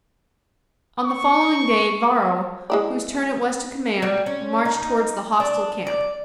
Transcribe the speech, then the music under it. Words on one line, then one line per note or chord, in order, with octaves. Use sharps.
On the following day Varro, whose turn it was to command, marched towards the hostile camp.
C#6
G#3 E4 D5
G3
C#4
D#4
D4
D5